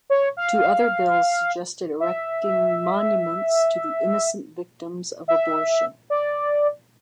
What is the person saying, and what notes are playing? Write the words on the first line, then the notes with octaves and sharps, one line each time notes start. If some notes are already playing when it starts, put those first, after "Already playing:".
Two other bills suggested erecting monuments to the innocent victims of abortion.
C#5
F5
E5
E5
D5